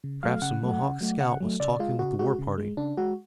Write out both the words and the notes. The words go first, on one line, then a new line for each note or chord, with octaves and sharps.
"Perhaps a Mohawk scout was talking with the war-party."
C#3
F#3 A3 F5
C#3 F#5
F#3 A3
C#3
F#3 A3
C#3 F#5
F#3 A3
C#3 D5
G#3 F4
C#3 F#4
G#3 F#4
C#3
G#3
C#3 D4
G#3 F#4